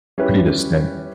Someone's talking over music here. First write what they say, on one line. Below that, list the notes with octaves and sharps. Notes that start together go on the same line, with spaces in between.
pretty distinct,
G3 C#4 E4 G4 B4